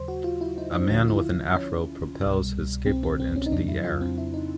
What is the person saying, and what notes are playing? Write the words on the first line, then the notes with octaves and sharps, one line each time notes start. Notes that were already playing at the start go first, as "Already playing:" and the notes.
A man with an Afro propels his skateboard into the air.
Already playing: D#2 C#3 F#3 C5
F#4
F4
E4
D#4
D4
D2 D3 F3 F#4
F4
E4
F4
C#4
C2 B2 G3
C4
C4
C4
C#4
D#4
F2 C#3 F#3 D4
E4
F4
C4
E4
D#4